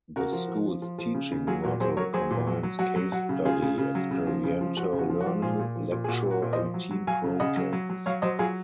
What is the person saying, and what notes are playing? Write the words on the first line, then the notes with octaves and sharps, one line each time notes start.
The school's teaching model combines case study, experiential learning, lecture and team projects.
C#3 F#4 A#4
F3
F3
F3
F3
F3
C#3
C#3
F#3 F4 G#4
A#2 F#4 A#4
F#3 G#4 C5
F#3 A#4 C#5
F#3 G#4 C5
A#2
F#3
F#3
F#3 F#4
F#3
F#3 F#4
C#3
C#3 F4 G#4
C#3
C#3
F#3
C#3
F3
C#3
F3
F3 F#4
C#3
F#4
F3
F#4
F3
A#2 F4 G#4
A#2
F3
A#2
G#4
A#2 F#4
A#2
F#4
A#2
C5 D#5
F3
F#3
F#3
F#3 F5 G#5
C#3
C#3 D#5 F#5
F#3
F#3
F#3
F#3 C#5 F5
F#3 C5 D#5
F#3 F4 G#4